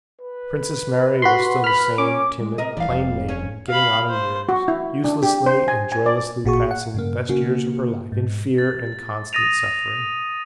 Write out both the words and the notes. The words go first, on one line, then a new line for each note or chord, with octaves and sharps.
Princess Mary was still the same timid, plain maiden getting on in years, uselessly and joylessly passing the best years of her life in fear and constant suffering.
B4
F#4 B5 C6
B5 F6
C#4 D6
G#3
C3 A#4 D#5
F1 E3 G3 D5 F5
F2
C#4
F5 B5
C5
F#4
E4
D4
G4
C5
G#5
G#5
D5
A1 A#2 F#4 G#4 C#6
F#5
G2 C#3 A#3
C#3 A#3 F#4
G#2
A6
D#6 A6 A#6 D#7 F7